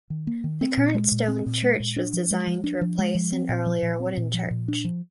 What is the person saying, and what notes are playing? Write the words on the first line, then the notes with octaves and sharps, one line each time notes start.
The current stone church was designed to replace an earlier wooden church.
D#3
A#3
D#3
C4
A#2
G#3
A#2
C4
A#2
G#3
A#2
D4
F3
G#3
F3
D4
F3
G#3
F3
C4
A#2
F3
A#2
C4
A#2
F3
A#2
D4
F3